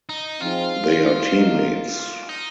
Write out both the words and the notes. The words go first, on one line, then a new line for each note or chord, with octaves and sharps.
They are teammates.
D#4
F3 C4 D#4 F4 G#4 C5
A#3 D#4 A#4
D#4